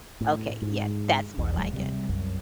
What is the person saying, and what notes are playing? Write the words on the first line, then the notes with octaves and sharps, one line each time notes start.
Okay, yeah, that's more like it.
A2
G#2
B1 E2
D1 F#3 G#3
C3 G3
C2 F#2